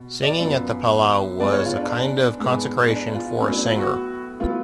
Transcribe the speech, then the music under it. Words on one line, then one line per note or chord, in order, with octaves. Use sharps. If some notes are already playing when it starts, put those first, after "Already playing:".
Singing at the Palau was a kind of consecration for a singer.
Already playing: B2
D5
F#2 F3 B3
G#2 G#3 B3 D5
C#5
F4
D4
D4
G#2 G#3 B3
D4
F4
A2 F#3 B3 C#4
D4
F4
F#4
A2 F#3 B3 F4